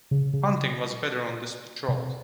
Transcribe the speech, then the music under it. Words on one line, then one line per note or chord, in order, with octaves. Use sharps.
Hunting was better on this patrol.
C#3
C#3
C3